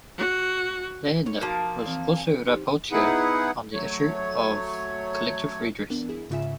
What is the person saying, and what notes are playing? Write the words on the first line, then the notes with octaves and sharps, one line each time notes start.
Lehne was also rapporteur on the issue of "Collective Redress".
F#4
D#4 C#5
F3 A#3 F#4
E3 C4
G#5
D#4 G4 C5
B3 D#4 E4 G#4 B4 F#5
F#3 A3 C#5
E3 B3 D4 A#4
E4 G#4
G#2 C#3 F4 E5 G#5 E7